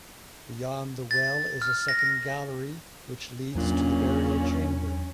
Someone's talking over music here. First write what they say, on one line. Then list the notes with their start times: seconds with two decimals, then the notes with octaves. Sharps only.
Beyond the well is a second gallery which leads to the burial chamber.
1.11 A6
1.62 F6
1.88 A#6
3.55 E2 A#2 F#3 C#4 D4